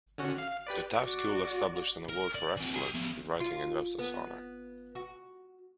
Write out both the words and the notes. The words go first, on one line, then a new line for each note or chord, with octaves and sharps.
The Taft School established an award for excellence in writing in Webster's honor.
D3 C#4 F#4
F5
G4 B4 D5
F#4 D5
A#4
D5
E3 C4
G4 G#5
F3 B3
F4
B3
F#4